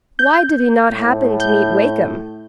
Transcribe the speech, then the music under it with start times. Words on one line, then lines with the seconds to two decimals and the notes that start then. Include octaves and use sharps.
Why did he not happen to meet Wakem?
0.19 G6
0.91 A2
1.40 G6